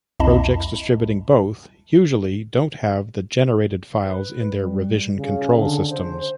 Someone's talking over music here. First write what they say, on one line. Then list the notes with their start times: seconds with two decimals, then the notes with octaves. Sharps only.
Projects distributing both usually don't have the generated files in their revision control systems.
0.20 C2 F2 E4 D#5 A5 B5
4.03 B4
4.54 G3
5.15 C#3
5.59 D3
5.89 C5